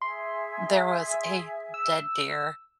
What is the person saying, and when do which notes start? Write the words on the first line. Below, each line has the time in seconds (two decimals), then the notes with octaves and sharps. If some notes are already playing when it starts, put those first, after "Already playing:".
there was a dead deer
0.02 G#4 E5 C6
1.74 E6